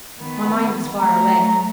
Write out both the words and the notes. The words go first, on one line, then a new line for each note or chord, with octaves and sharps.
My mind was far away.
D#3 B3
F#3 A3 A#5